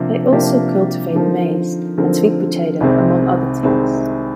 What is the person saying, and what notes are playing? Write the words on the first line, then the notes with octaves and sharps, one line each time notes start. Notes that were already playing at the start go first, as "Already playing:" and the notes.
They also cultivate maize, and sweet potato among other things.
Already playing: C3 F3 A#3 D4
C3 F3 A#3 D4 G4
D3 F3 C4 D#4 A#4
D3 F3 C4 D#4 A#4
C2 C3 D#3 G#3 C4
C2 C3 D#3 G#3 C4